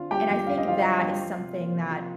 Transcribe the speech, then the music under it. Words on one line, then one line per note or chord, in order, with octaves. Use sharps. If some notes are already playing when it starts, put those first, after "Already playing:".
and I think that is something that
Already playing: D3 C4 F4 F5
G3 G4 G5
G2
D3 F5
D#5
C4 F4 F5
G3
G2
F3
C3
A#3
C3
F3